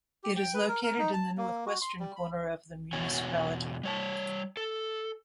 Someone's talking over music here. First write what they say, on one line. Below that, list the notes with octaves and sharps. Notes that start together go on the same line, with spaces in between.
It is located in the northwestern corner of the municipality.
G4
G5
B4
A#4
A#4
D#4
A5
A#3
F#4
C6
G3
B5
E2 B2 F#4 C#5 G#5
G3 C#5 A5
A4